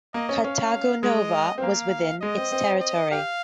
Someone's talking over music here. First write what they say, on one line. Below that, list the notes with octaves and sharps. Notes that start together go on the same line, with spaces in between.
Cartago Nova was within its territory.
A#3 D#5
C#4
C#4 F5
G#3 D#5
C4
A#3 F5
G#3 D#5
C4
C4
D#5
G4 F5